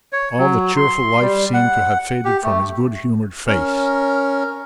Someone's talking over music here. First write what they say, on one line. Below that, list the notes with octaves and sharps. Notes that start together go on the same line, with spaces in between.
All the cheerful life seemed to have faded from his good-humored face.
C#5
F#3
C6
G3
F#5
G4
A3
C#4 A#4